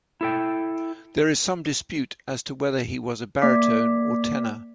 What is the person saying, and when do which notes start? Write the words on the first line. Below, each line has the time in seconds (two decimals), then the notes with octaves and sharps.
There is some dispute as to whether he was a baritone or tenor.
0.21 E4 A4 G5
3.42 A#3 D5 D6 B6